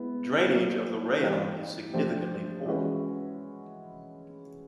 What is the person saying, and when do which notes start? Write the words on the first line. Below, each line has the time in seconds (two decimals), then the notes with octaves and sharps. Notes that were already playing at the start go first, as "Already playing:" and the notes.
Drainage of the rayon is significantly poor.
Already playing: G#3 B3 E4
0.46 A#2 F#3 A#3
1.19 E3 G3 C4 D#4 G4
1.93 F3 A3 D4 G4 C5
2.66 E3 G#3 C#4 F#4 B4